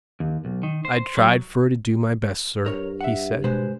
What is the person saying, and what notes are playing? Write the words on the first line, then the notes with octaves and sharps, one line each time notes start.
"I tried fer to do my best, sir," he said.
D#2
B1
D#3
C5
F#3
G2 A#4 C#5
E5 F#5
B2 G#3 B4 C5